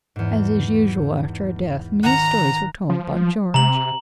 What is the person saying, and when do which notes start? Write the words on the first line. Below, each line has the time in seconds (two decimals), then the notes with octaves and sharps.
As is usual after a death, many stories were told about George.
0.16 E2 G#2
2.03 D#3 F#5 A#5 F#6
2.90 F3
3.54 C3 A#5 F#7